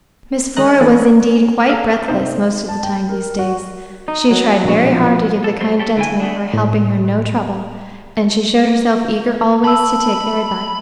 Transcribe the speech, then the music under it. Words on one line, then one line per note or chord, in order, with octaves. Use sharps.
Miss Flora was, indeed, quite breathless most of the time, these days. She tried very hard to give the kind gentlemen who were helping her no trouble, and she showed herself eager always to take their advice.
D#3 G#3 D#5 A#5 F#6
E3 A#3 C4 D4 A4 D5
G#4 A4 F5
C3 C4 D#4 C5
A5
G5
A#4
F#4
D#4
F#3
A#1 B2 F#4
F3
A4
F#3 G3 C5
G4 A4 C#5
D3 F#3 E4 G5 G#5
A3 B3 D4
A2
A5 B5 E6